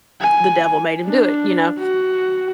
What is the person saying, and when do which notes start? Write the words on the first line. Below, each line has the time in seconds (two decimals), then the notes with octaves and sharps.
the devil made him do it, you know?
0.21 G#5
1.06 D4
1.79 F#4